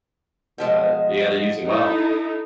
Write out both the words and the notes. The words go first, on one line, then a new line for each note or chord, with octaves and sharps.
but you gotta use it well,
B2 F3 G#3
D#4 E4 A4